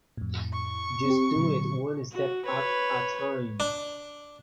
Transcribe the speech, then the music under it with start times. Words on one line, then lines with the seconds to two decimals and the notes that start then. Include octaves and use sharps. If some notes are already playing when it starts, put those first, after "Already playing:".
Just do it one step at a time.
0.17 F2 A2
0.53 C#6
1.05 C4 G4
1.36 A#2 D3 F#3
2.12 F#4
2.45 B4 C#5
3.60 D4